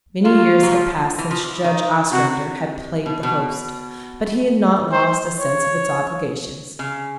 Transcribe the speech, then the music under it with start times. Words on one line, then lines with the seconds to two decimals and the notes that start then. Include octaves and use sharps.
Many years had passed since Judge Ostrander had played the host; but he had not lost a sense of its obligations.
0.25 F#3 F4
0.63 F#3
0.71 F3
1.18 E3
1.31 F3
1.44 E3
1.64 D#3
2.12 C3 F#4
3.06 B2
3.23 B2
4.92 C5
5.40 C#5
6.79 C#3